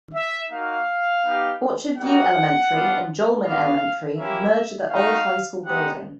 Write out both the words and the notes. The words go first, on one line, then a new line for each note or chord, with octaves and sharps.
Orchard View Elementary and Jolman Elementary merged at the old high school building.
E5
A#3 D#4 F#4 F5
B3 D#4 G4
G3 A#3 D#4 F#4 F#5
G3 B3 D4 F4
B3 D4 F#4 F5
A#3 C#4 E4 G4 E5
A3 C4 D#4 F#4 F5
G#3 B3 D#4 G4 F#5